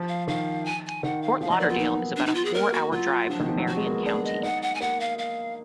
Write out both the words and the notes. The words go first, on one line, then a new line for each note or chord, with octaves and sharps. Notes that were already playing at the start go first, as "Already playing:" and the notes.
Fort Lauderdale is about a four-hour drive from Marion County.
Already playing: F3
F5
D#3 F5
G#5
G#5
D#3 F#5
F5
F3 F5
F#3 D#5
A#3 D5
B3 F4
D#4
D4
D#4
F4
G#4
A#3 A#4
F#4
F#3 F4
F3 D4
D#3
F3
F#3
F#3 F#4
G#3
A#3
B3
D4 G#4
D#5
D#4 F#5
F#5
G#5
A#3 F#5
F5
F5